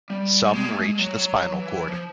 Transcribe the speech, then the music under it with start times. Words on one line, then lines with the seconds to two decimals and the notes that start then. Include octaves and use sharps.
Some reach the spinal cord.
0.10 G3
0.45 G3
0.53 G#3
0.63 A#3
0.72 A3
0.80 G#3
0.99 F#3
1.16 F#3
1.52 E3
1.88 F3